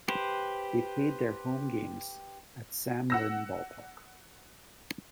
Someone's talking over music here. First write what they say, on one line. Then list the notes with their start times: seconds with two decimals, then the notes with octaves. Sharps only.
They played their home games at Sam Lynn Ballpark.
0.08 G4 B4 C5
3.10 F#5 E6 A#6